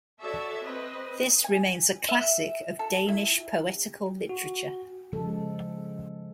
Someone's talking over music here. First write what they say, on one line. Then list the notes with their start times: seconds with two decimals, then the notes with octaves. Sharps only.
This remains a classic of Danish poetical literature.
0.21 F#4 A4 C#5 D5 E5
0.63 C4 B4 D#5
1.44 G#5
2.09 E5
2.79 A4
3.08 E4
4.29 F#4
5.13 C#3 F3 G#3 A4